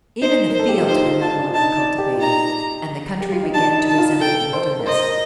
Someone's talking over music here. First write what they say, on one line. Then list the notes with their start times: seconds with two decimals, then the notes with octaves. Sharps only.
Even the fields were no longer cultivated and the country began to resemble a wilderness.
0.22 D#4 C5
0.50 A#4 C5
0.59 A4
0.69 G4
0.78 F4
0.88 D#4 C5
1.05 F4
1.21 F4 A5
1.38 D4
1.54 D#4 A5
1.77 D5
1.98 G4
2.15 F4
2.20 D#4 A#5
3.21 G4
3.32 F4
3.43 D#4
3.54 D4 A5
3.76 D#4
3.87 A5
3.94 D#4
3.98 F4
4.20 A4 G5
4.53 C5
4.79 A#4
4.87 C5 D#5
5.03 A#4